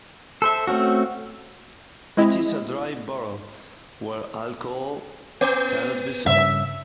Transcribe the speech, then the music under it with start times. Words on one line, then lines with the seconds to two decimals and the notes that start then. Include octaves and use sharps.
It is a dry borough, where alcohol cannot be sold.
0.42 A4 C5 E5
0.67 A3 C4 C#4 F#4
2.17 G#3 C4 E4 D#5
5.41 B3
6.26 G2 C#3 E5